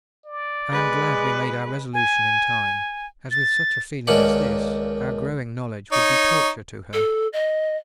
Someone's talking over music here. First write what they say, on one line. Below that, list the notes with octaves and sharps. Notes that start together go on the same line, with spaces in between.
I am glad we made our resolution in time, as with such a feeling as this, our growing knowledge would be torture to her.
D5
G#3 B4
G#5
A6
C#2 A#2 D#3 C#4 D4 F#5
D#4 C#5
A4
D#5